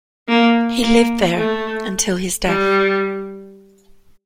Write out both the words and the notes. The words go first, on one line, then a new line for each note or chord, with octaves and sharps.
He lived there until his death.
A#3
A#3
A3
G3